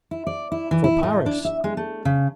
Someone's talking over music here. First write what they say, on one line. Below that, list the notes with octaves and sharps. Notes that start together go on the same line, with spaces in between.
"For Paris."
E4
D5
E4
E3
E4
A2
D4
E5
G#3
A3
C#3